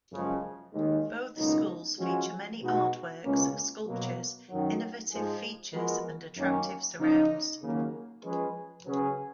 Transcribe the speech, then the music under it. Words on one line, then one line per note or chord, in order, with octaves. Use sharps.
Both schools feature many artworks, sculptures, innovative features and attractive surrounds.
F#2 C#3 F3 G#3
D#2 D#3 G#3
C#2 B2 F#3 A#3 D#4
F3 G#3 C#4 F#4
B2 G#3 B3 D#4 F#4
C#2 B2 A#3 C#4
B2 F#3 A#3
F#2 D#3 F#3
G#2 F3 G#3 D#4 G#4
F3 G#3 B3 F#4 A#4
F#2 D#3 A#3 C#4
C#3 F#3 A#3 D#4
D#2 C#3 F#3 A#3
F3 G#3 C#4 G#4 B4
C#3 F#3 C#4 G#4 B4